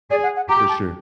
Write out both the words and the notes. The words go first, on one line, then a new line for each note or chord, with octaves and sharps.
For sure.
G#4 D5
F#5
F#5
G4 A#5
A5